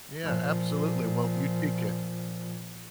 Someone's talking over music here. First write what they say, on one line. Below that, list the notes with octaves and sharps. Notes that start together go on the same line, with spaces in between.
Yeah, absolutely, well, you take care.
A#2 F3